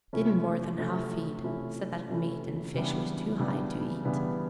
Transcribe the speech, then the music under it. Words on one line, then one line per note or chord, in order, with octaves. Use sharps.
Didn't more than half feed, said that meat and fish was too high to eat.
C3 F3 A3 C#4 E4
C3 F3 A3 C#4 E4
C3 F3 A3 C#4 E4
C3 F3 A3 C#4 E4
C#3 E3 G3 B3 D4
C#3 E3 G3 B3 D4
C#3 E3 G3 B3 D4